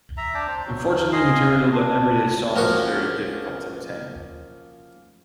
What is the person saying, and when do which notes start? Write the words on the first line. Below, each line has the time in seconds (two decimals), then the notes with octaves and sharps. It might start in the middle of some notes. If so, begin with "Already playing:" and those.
Unfortunately, material about everyday songs is very difficult to obtain.
0.17 E5 A#5
0.34 D4 D5 G5 A5
0.48 C5
0.66 F#3
1.12 G#4 D#5 F5 C6
1.72 D4
2.56 F3 A#3 C#4 F#4